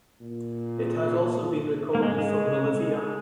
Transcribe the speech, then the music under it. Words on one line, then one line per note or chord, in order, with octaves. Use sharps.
It has also been recorded from Bolivia.
A#2
G#2 A#3
G#3
G#3
C3
C#3